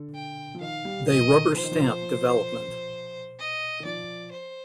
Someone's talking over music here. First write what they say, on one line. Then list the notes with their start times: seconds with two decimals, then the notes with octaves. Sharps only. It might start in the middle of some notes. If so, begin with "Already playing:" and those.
They rubber-stamp development.
Already playing: D3
0.15 G5
0.55 F3
0.61 D#3 F5
0.85 G3
1.08 F3 D#5
1.32 D#3
1.54 F3 C5
1.64 D#3
1.72 F3
3.39 D#5
3.80 D#3
3.85 F3 D5
4.31 C5